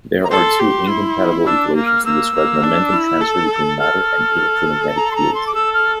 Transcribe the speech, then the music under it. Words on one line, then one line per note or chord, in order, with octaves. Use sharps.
There are two incompatible equations to describe momentum transfer between matter and electromagnetic fields.
A#5
A4 C6
G4
E4
D4 E6
A#3
F6
A#3 E6
A#3
D4
E4
A4
A4 F6
A#5
C6
A#5
C6
D6
A4 E6
F6